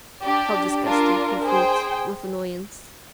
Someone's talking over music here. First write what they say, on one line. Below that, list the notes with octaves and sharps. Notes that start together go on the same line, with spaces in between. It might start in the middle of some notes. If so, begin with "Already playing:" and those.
"How disgusting," he thought with annoyance.
D4 G4 D5
D4 F4 A#4
G#4 C5 G5